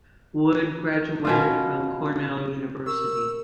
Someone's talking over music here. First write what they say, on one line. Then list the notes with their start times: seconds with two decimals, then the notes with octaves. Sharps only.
Wood graduated from Cornell University.
1.25 B2 C#4 F4
2.86 A#4 C#6 E6